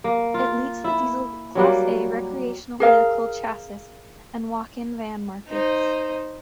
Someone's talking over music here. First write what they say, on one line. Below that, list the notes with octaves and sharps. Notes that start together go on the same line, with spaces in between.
It leads the diesel Class A recreational vehicle chassis and walk-in van markets.
A#3
F4
E4
F#3 G3 A#3
G#4 A#4 F5
D#4 C5